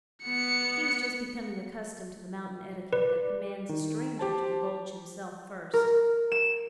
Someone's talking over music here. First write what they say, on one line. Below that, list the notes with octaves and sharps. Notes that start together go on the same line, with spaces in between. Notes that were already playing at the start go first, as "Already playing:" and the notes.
He was just becoming accustomed to the mountain etiquette that commands a stranger to divulge himself first.
B3 C#7
B4 D5
D#3
G4 C5 A5
A#4
E7